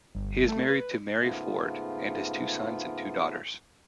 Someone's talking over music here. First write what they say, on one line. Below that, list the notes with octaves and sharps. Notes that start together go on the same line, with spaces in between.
He is married to Mary Forde and has two sons and two daughters.
G1
A3
B4
G#2 C#3 A3 B3 F4